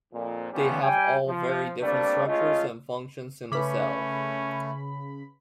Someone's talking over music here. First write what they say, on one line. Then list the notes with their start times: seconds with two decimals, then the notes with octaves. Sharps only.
They have all very different structures and functions in the cell.
0.13 F2 A#2
0.53 F3 G3 A3 B3 C#4
0.82 G3 G5 G#5
1.26 F3
1.82 G3 A3 A#3 C4 D4 D5
2.27 G#3 A3 C#4 F4 D#5
3.52 C#3 A3 C#4 B4 B5 D6